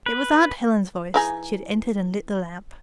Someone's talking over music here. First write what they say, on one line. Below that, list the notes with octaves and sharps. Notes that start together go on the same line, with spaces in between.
It was aunt Helen's voice; she had entered and lit the lamp.
B4
E3 D#4 G#4